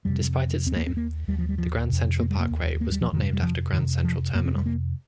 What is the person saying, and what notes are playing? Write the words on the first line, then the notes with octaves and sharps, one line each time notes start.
Despite its name, the Grand Central Parkway was not named after Grand Central Terminal.
F2 C3 G3
D#2 C4
A#3
C4
A#3
D#2 G3
F3
G3
F3
F2 C3
A#3
G3
A#3
D#2
A#3
G3
F3
F2 C3 D#3
G3
G3
F3
F2 C3 D#3
F3
F2 C3 A#3
C4
G3
A#3